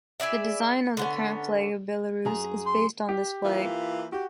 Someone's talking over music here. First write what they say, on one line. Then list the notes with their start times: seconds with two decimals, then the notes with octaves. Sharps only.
The design of the current flag of Belarus is based on this flag.
0.20 E4 G#4 D5 E5
0.97 D3 B3 C#4
2.25 F#2 G#4 A#5
2.66 C6
3.09 G4
3.44 E3 A#3 F4
4.12 F#4 G4